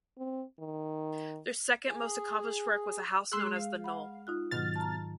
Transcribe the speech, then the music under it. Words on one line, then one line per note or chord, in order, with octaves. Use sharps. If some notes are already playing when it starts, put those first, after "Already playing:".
Their second most accomplished work was a house known as "the Knole".
C4
D#3
G#4
G#3 G#4 C6 E6 F#6
F5
F#5 B5
D#4 F4 F#6
G#2 B2 D#3 F#3 F6 A6
A5 A#5